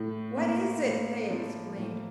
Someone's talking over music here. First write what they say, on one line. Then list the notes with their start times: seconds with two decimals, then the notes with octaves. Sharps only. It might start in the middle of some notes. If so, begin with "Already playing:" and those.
"What is it?" they exclaimed.
Already playing: A2
0.37 A#3
0.83 A2
1.30 F3
1.77 A2